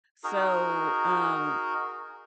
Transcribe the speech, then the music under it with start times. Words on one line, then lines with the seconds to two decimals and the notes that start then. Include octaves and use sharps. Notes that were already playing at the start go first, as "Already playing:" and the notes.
So, um,
0.24 D#4 F#4 G#4 A#4